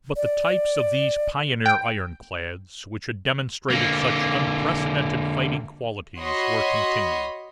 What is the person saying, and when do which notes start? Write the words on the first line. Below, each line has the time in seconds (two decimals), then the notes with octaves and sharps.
But the types of these pioneer ironclads, which had demonstrated such unprecedented fighting qualities, were continued.
0.16 D5
1.66 G5
3.70 D3 A#3
6.19 F#4 C#5 D#5 B5 C6